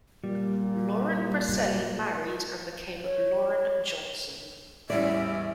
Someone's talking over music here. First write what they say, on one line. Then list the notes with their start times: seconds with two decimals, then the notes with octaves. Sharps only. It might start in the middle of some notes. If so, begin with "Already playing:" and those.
Lauren Roselli married and became Lauren Johnson.
0.24 A#2 G3
3.05 C#5
4.90 A1 E2 G3 C#4 D5 E5